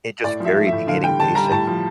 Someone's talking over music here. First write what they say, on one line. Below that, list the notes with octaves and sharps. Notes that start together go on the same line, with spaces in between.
it just very beginning basic
A2 D5
F3 E5
A3
E5
A2
D3 F5
G3 G5
D3 A5
G3 A#5
A2 A5
F3